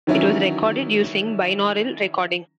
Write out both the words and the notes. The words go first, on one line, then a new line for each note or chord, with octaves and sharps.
It was recorded using binaural recording.
D#3 E3 F#3 C#4 D4 E4